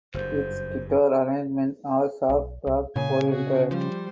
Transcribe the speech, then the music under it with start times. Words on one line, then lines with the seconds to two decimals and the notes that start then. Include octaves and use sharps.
Its guitar arrangements are soft rock oriented.
0.14 F#1 G2 C5
2.29 B1
2.67 C2
2.96 A#2 C#3 G#5
3.30 F#4 G#4
3.71 F3 G3 C5